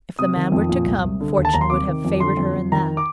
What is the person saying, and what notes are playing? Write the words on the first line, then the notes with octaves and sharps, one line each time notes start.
If the man were to come, fortune would have favoured her in that.
C3 D#6
D#3
F2
A#2
C2
C2
D3
D#2
A5
D#2 A#5
C6
C3 D6
D#3
F2
D3 C6
F2
F2
D#3 A#5
D6